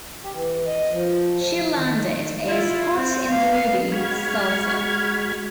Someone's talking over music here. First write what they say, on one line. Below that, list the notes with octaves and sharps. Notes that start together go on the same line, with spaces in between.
She landed a spot in the movie "Salsa".
G4
E3
D#5
F3
D#3
E4 F4
C4
B3 F5
G#3 F#4 B5 C#6 F6 G#6